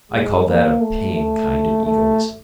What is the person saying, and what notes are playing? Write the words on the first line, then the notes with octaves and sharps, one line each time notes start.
I call that a paying kind of egoism.
G#3
A#3
A3
A3
A3